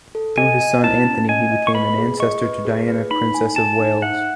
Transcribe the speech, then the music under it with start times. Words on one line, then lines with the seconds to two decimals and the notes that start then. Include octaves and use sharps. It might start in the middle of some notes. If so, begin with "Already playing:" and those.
Through his son Anthony, he became an ancestor to Diana, Princess of Wales.
0.15 A4
0.37 D#5 G#5
0.61 D#5
0.83 E4 A5
1.07 C#4
1.29 D#5 G#5
1.52 D#5
1.67 C#6
1.74 B4 B5
1.98 G#4
2.20 D#5 C#6
2.43 B4
2.65 G#4
2.88 B4
3.11 D#4 B5
3.34 G#5
3.56 G#5 A5
3.80 D#4
4.02 E5 F#5